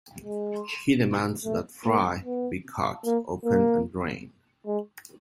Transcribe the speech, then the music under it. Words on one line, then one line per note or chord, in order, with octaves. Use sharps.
He demands that Fry be cut open and drained.
G#3
A3
A#3
B3
A#3
A#3
G#3